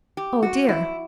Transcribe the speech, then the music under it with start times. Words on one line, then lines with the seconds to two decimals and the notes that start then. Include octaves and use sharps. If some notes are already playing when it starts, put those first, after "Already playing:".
Oh, dear!
0.17 G4
0.43 F#4
0.69 E4